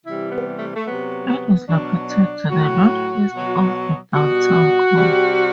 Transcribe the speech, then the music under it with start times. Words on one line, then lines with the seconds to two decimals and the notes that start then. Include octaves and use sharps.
It is located to the northeast of the downtown core.
0.05 C3 E3 G3 E4
0.31 B3
0.59 A3
0.74 A3
0.87 C3 F#3 B3
1.27 B3
1.68 B2 F#3 D4
2.09 D4
2.49 A2 F#3 F#4
3.31 B2 F#3
4.13 B2 G3 F#4
4.96 C3 G3